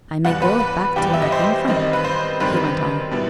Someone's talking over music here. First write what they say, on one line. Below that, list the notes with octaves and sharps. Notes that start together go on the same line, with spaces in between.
'I may go back to where I came from,' he went on.
E2 B2 G3 F#5
B4
B4
E2 B2 G3 G4
E5
D#5
C5
F#2 D#3 G3 C4 D#5
B4
C5
F#2 D#3 G3 C4 B4
B2 G3 B3 E4